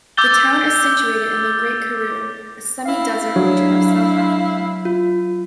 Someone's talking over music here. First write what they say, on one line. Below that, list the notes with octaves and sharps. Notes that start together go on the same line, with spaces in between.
The town is situated in the Great Karoo, a semi-desert region of South-Africa.
D6 E6 G6 A6 G7
E4 F5
F#3 D4
F4